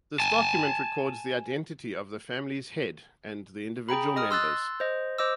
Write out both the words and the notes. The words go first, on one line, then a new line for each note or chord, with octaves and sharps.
This document records the identity of the family's head and the individual members.
G#5 A5
G#4 G5 A#5 B5
D#5 D#6 F6
C6 E6 F#6 A6
C5 D#5
C5 D#5 D6 E6